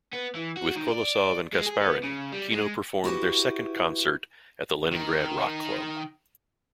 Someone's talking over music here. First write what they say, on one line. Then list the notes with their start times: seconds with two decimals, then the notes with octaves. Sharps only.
With Kolosov and Kasparyan, Kino performed their second concert at the Leningrad Rock Club.
0.13 B3
0.35 E3
0.57 F#4
0.76 D#3
0.89 D5
1.53 G#3
1.66 G#4
1.81 B3
2.04 C#3
2.33 G3
2.52 G#3
3.04 E4 F#4 G4 B4
4.92 D#3 A#4